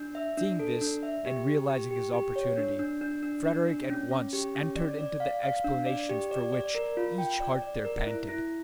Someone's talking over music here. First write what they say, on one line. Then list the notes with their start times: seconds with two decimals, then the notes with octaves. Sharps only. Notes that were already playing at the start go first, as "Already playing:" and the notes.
Seeing this, and realising his opportunity, Frederick at once entered into the explanations for which each heart there panted.
Already playing: D4
0.15 E5
0.37 D4
0.59 A4
0.81 D4
1.03 E5
1.26 G4
1.47 G4
1.70 G4
1.91 G4
2.14 G4
2.36 C#5
2.58 D4
2.79 D4
3.01 D4
3.23 D4
3.45 D4
3.67 D4
3.90 C#4
4.11 C#4
4.33 G4
4.55 C#4
4.76 D5
4.99 D5
5.20 F5
5.43 F5
5.64 D4
5.86 D5
6.09 G4
6.31 D5
6.53 D5
6.75 A#4
6.97 F4
7.18 G5
7.40 D5
7.62 D5
7.85 A#4
8.07 E4
8.28 E4